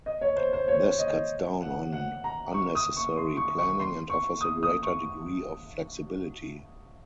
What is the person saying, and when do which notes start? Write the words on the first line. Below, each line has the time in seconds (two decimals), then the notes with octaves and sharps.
This cuts down on unnecessary planning and offers a greater degree of flexibility.
0.06 D#5
0.21 C#5
0.36 C5
0.53 C5
0.68 C#5
0.99 D#5
1.61 F#5
1.92 F#5
2.24 A#5
2.54 C#6
2.75 D#6
2.97 C#6
3.17 C6
3.37 C#6
3.58 C#6
3.80 C6
4.10 C#6
4.41 D#6
4.63 D#6
4.83 C#6